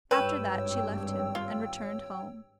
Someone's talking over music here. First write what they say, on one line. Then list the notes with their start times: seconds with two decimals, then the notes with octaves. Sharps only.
After that she left him, and returned home.
0.11 G#1 G2 B4 C#5 G5 E6
1.35 F4